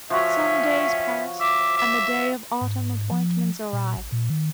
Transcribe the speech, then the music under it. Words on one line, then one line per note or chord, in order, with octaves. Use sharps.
Some days passed, and the day of autumn appointments arrived.
F3 C#4 F#4 C#5 E5
E5 D6
E5
G#2
F3
A#2
A1
A#2
D#3